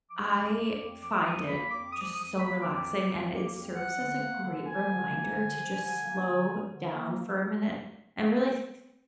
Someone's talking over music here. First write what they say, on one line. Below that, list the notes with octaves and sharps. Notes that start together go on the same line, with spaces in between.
I find it just so relaxing, and it serves as a great reminder to just slow down for a minute and really th th
F3 D6
F2
A#3
F2
F3 D6
F2 D#6
A#3 B5
F2 D6
F3 D#6
F2 D#6
A#3 B5
F2 D6
F3
F2
A#3
F2
F3 F#5
D3
A#3
D3
F3 G#5
D3
A#3
D3
F3
D3
A#3
D3
F3
D3
A#3